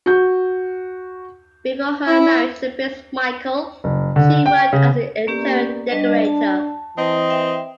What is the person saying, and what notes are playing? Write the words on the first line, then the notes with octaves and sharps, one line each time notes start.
Before her marriage to Prince Michael, she worked as an interior decorator.
F#4 G6
E4
F#1
D3
G5
C#3
A#3 B3 C#4 G4 A#4 D5
G3 D4 B4 D#5
A5
E3 C4 D#5
E5 G5